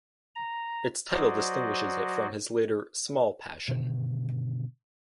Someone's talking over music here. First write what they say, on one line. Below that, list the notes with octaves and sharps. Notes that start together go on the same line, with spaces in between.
Its title distinguishes it from his later Small Passion.
A#5
F#3 F#4 C5 D5 D#5
G2 B2 D3 D#3